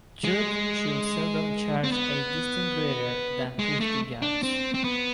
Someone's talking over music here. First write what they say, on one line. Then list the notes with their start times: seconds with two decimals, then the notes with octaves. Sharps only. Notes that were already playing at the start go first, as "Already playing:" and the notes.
Troops should seldom charge a distance greater than fifty yards.
0.24 G#3
1.84 C4
1.92 B3
3.59 G#3
3.80 A3
4.22 D4
4.43 C4
4.74 C4
4.84 B3